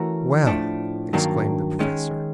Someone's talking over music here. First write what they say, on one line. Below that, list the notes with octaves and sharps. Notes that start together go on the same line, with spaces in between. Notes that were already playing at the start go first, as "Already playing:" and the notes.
"Well!" exclaimed the Professor.
Already playing: E3 A3 C#4 F#4 A#4
A2 F3 A3 D4
G2 D#3 F#3 A#3 D4
D#3 G#3 C#4